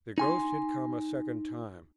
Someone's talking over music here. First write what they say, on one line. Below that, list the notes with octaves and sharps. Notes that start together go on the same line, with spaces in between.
The ghost had come a second time.
D#4 G#5 C6